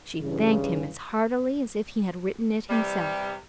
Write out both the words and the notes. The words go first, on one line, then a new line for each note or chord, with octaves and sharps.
She thanked him as heartily as if he had written it himself.
G2 C#3 E3
C3 E3 G3